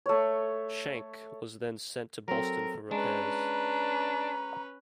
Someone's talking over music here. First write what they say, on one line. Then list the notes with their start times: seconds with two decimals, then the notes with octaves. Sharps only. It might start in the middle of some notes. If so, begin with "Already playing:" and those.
"Schenck" was then sent to Boston for repairs.
0.06 A3 C#5
2.28 F#3 C4 A4 A#4
2.91 G#3 C#4 D4 B4 A#5